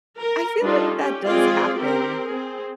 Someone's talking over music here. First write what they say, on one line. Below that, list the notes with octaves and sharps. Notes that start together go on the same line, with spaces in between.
I feel like that does happen
A#4
G3 D4 D#4 F4 A4
C#4 G4
G#3 C4 F4 G#4 D5
C4 G4 A#4
C4 G#4